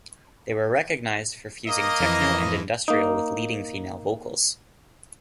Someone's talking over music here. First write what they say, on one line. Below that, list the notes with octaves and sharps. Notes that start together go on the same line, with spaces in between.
They were recognized for fusing techno and industrial with leading female vocals.
A#3 D#5
F2 E3
A#3 D#4